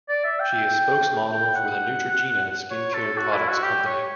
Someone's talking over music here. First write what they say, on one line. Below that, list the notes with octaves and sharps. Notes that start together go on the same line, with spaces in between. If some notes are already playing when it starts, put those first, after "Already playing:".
She is a spokesmodel for the Neutrogena skin care products company.
D5
E5
G5
G5
F#5
C#5
A4
F#4
E4
F#4
G4
C#5